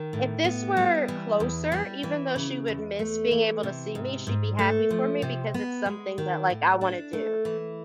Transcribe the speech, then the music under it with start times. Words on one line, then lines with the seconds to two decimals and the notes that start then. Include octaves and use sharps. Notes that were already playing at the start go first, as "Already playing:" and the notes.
if this were closer, even though she would miss being able to see me, she'd be happy for me because it's something that, like, I wanna do.
Already playing: D#3
0.13 A2
0.44 B3
0.77 G3
1.08 E3
1.40 E2
1.72 G3
2.03 E3
2.36 C#3
2.68 E2
2.99 A3
3.31 E3
3.63 C3
3.95 G#2
4.27 G#2
4.59 A3
4.90 F3
5.22 C3
5.54 B3
5.86 G#3
6.18 D#3
6.50 A2
6.81 D4
7.13 A3
7.45 E3